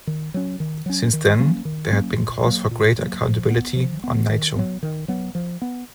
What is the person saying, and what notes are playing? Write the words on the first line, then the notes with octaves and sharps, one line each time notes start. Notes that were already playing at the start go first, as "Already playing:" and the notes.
Since then, there had been calls for greater accountability on Naicho.
D#3
F#3 C#4
D#3
F#3 C#4
D#3
F#3 A#3 C#4
D#3
F#3 A#3 C#4
A#2
F#3 A#3
A#2
F#3 A#3
F3
B3
F3
B3
D#3
F#3 B3
D#3
F#3 B3
F3
B3